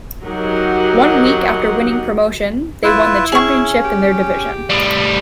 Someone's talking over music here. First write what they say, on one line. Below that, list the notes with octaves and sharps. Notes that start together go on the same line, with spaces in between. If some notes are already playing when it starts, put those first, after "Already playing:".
One week after winning promotion, they won the championship in their division.
F#3 D#4 G4 A#4 F#5
E4 F4 B4
C#4 G#4 C#6
G4
A2 G3